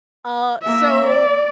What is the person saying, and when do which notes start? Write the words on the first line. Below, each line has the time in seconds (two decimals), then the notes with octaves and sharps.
Uh, so
0.62 A#3 E5
1.07 D5